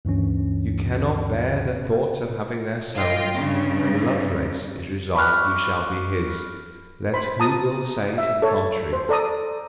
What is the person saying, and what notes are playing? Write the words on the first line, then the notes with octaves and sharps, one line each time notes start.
You cannot bear the thoughts of having their Solmes: and Lovelace is resolved you shall be his, let who will say to the contrary.
D2 G2 E3 C#4
F4 D#5 G5
G2 C#3
B5 C#6 D6 F6 F#6
C5 B5
A5 A#5 D#6
E5
A4 C#5
C5
A4 D5 A#5 D#6